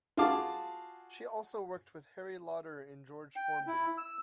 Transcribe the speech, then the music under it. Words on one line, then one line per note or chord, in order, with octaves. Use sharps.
She also worked with Harry Lauder and George Formby.
F4 F#4 G#4 F5 A5 D6
G5
E4
E6